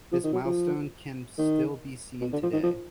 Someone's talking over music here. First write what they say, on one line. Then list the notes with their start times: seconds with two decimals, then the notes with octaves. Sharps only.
This milestone can still be seen today.
0.12 F3
0.24 D#3
0.33 F#3
0.45 F3
1.38 D#3
2.21 B2
2.32 D3
2.43 F3
2.53 D#3
2.63 F3